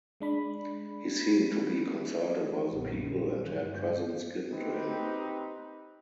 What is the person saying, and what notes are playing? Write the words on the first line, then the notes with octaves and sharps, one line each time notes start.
He seemed to be consulted by the people and had presents given to him.
G#3 D4 B5
E3 G#3
A#1 F#2 D3 A#3 B3
G3 G#3
D2 G2 B2 D#3 F#3 G#3
C4 D#4 G4 B4